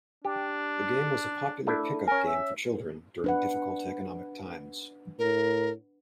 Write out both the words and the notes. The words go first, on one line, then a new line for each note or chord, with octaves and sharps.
The game was a popular pick-up game for children during difficult economic times.
D4 G4
A3 D4 E4
C#4 A#4 G#5
E5
D4 B4 F#5
A2 A#4